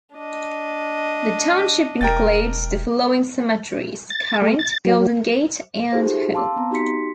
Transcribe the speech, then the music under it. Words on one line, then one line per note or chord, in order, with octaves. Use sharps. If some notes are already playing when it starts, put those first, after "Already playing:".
The township includes the following cemeteries: Current, Golden Gate and Home.
D4 D#5
E1 A#4 G5 A6
A6
A3
A6
F#3
D#4 F4 F#4 G#4 A4 C5
G4
F5 A5 C6 D6 E6
B3 C4 A#5
D#4 F#4 G4 C6 B6 C#7